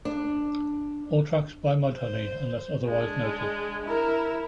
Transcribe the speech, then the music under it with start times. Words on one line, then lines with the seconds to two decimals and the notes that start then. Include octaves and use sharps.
All tracks by Mudhoney unless otherwise noted.
0.05 D4
1.93 C5
2.86 G#3 D4
3.84 E4 A#4